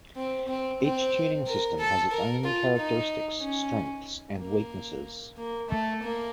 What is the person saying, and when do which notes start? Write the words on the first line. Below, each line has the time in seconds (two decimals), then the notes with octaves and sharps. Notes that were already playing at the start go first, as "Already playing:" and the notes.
Each tuning system has its own characteristics, strengths and weaknesses.
0.16 C4
0.48 C4
0.81 C4
1.47 A#4
1.79 A4
2.12 A#4
2.44 F4
2.77 D#4
3.41 C#4
4.40 A#3
5.37 A#3
5.69 A3
6.02 A#3